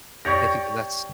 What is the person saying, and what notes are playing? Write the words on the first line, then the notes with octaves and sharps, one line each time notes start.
I think that that's
G4 C#5 D5 C#6 G6 A#6